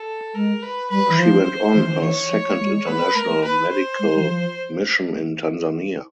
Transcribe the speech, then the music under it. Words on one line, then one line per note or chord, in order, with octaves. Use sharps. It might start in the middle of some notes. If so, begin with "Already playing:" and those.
She went on her second international medical mission in Tanzania.
Already playing: A4
G#3 A#4
B4
G3 B4
E3
F3 C5
E3
E3
D#3
E3 C#5
F3
A3
G#3
G3
G#3
A3 B4
A3 A#4
A3
B4
C5
G#3
G3
E3
F3